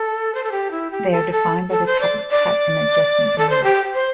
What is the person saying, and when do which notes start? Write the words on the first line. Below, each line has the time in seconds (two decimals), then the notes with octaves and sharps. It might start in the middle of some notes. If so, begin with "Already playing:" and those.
They are defined by the type of cut and adjustment made.
Already playing: A4
0.35 C5
0.44 A4
0.52 G4
0.71 E4
0.91 G4
1.12 A4
1.32 A4
1.71 A4
1.86 C5
2.00 D5
2.30 D5
3.38 A4
3.50 C5
3.64 G4
3.94 C5